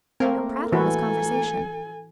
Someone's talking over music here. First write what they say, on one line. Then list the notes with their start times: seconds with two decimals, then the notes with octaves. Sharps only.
Her prattle was conversation.
0.20 A3 A#3 C4 A#4
0.72 E3 E4 F#4 A4 G#5